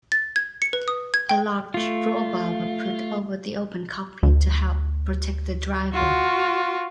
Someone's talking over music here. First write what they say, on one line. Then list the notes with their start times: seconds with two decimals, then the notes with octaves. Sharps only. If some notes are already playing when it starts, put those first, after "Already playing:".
A large rollbar was put over the open cockpit to help protect the driver.
0.12 A6
0.36 G#6
0.62 C#7
0.73 B4
0.88 D#6
1.14 G#6
1.29 G5
1.74 A3 F4
4.23 D2
5.93 F4 F#4